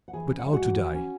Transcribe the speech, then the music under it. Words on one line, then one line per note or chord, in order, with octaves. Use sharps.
But how to die?
F#5
E3 G#4 G#5
C#4
F#5
G#3 E5
F#4 F#5
E2
E3
C#4